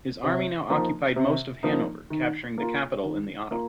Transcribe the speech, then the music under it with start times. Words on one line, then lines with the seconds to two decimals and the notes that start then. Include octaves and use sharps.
His army now occupied most of Hanover, capturing the capital in the autumn.
0.24 C3
0.69 F3 A#3 D#4
1.16 C3
1.63 F3 A#3 D#4
2.10 D#3
2.58 A#3 F4
3.03 D#3
3.51 A#3 F4